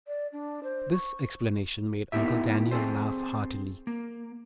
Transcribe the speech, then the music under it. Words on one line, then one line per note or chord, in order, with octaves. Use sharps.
This explanation made Uncle Daniel laugh heartily.
D5
D4
C5
C#6
A#3 B3 D#4 E4 G4 E5
C4 G#4 A4 C5
A#3